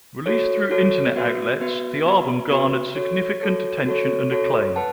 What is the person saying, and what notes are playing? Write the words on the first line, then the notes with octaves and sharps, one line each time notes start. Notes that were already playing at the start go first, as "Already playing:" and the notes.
Released through internet outlets, the album garnered significant attention and acclaim.
F#4 A4 C#5
F#4 A4 C#5
B3 F#4 B4 E5
B3 F#4 B4 E5
B3 F#4 B4 E5
B3 F#4 B4 E5
F#4 A4 C#5
F#4 A4 C#5
F#4 A4 C#5
F#4 A4 C#5
B4 F#5 A5